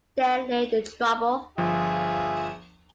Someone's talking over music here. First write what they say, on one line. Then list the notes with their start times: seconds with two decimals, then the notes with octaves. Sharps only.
There lay the trouble.
1.58 G1 F3 F4 G#4 E5